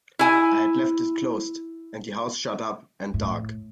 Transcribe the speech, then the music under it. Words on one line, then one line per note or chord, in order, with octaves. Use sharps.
I had left it closed and the house shut up and dark.
E4 G#5
A2